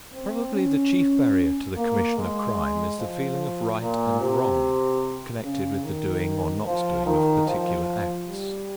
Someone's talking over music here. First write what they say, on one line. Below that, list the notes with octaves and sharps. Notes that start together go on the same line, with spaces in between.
Probably the chief barrier to the commission of crime is the feeling of right and wrong connected with the doing or not doing of particular acts.
C4
C#4
A#3
G#3
F3
A#2
C3
C#3
D#3
F3
D#3
F3
G3